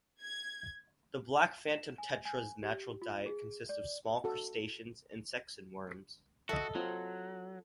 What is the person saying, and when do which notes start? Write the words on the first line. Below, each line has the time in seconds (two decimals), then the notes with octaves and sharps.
The black phantom tetra's natural diet consist of small crustaceans, insects, and worms.
0.22 G#6
1.74 E7
1.98 G#5
2.25 G#5
2.63 G4
3.02 F4
3.26 G#4
3.69 D5
4.24 F#4 A4
6.49 F#4 A4 D#5 E5
6.75 F#3 C4 F4